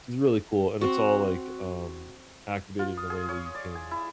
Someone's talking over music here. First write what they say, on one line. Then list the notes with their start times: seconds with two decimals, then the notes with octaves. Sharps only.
it's really cool, and it's all, like, um, activated in a way where you can
0.81 C4 F#4
2.79 F4
2.97 D#6
3.10 G#4
3.29 C#5
3.55 D5
3.75 G#5
3.91 E4